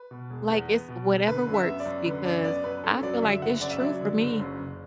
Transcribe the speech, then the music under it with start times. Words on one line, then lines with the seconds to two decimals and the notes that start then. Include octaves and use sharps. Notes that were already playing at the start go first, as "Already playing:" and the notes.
like, it's whatever works because I feel like it's true for me.
Already playing: B4
0.11 B2
0.30 E1
0.50 E2
0.69 B3
0.88 B2
1.09 E1
1.27 D3 B4
1.47 F#2
1.54 E5
1.67 B3
1.80 D5
1.86 F#2
2.06 D3 B4
2.25 F#2 D5
2.44 B3 D5
2.64 F#2 B4
2.84 F#2 A4
3.03 F#3 D5
3.22 D3 E5
3.42 F#1 F#5
3.62 F#2 D5
3.71 E5
3.80 F#3 D5
4.01 D3
4.20 F#1
4.40 F#2
4.60 F#1